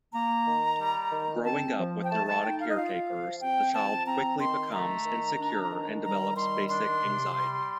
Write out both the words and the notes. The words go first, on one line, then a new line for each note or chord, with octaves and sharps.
Growing up with neurotic caretakers, the child quickly becomes insecure and develops basic anxiety.
A#3 A#5
D#3
G3
D#3
C4 A5
F3
G5
A3 A5
A5
D#4 G5
F5
D#5
F4 F5
F3
C4 G5
F3 A5
C4 A#5
D#3 C6
A3 A#5
D#3
D4
D#3
G3 A#5
D#3 C6
D4 C6
C3
G3